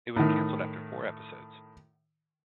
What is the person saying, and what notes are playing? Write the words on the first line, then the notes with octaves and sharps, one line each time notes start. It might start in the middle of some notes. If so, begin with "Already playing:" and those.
It was cancelled after four episodes.
A2 D#3